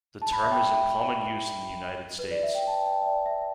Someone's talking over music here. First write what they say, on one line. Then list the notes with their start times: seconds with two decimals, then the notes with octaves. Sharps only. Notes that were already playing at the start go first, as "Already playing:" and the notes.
The term is in common use in the United States.
0.22 A5
0.32 B5
0.43 E5
0.51 G5
0.64 G5
0.71 E5
2.19 B4
2.31 D5
2.43 E5
2.55 G5
2.67 A5
2.87 G5
3.02 E5
3.06 D5
3.26 E5